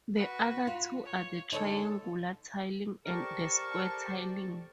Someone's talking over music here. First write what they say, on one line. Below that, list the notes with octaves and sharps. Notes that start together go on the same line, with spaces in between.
The other two are the triangular tiling and the square tiling.
F#4 B4
F4
C#5
D3 D#4 A4 C#5
G4 A4 A#4 C5 D5 A5 C#6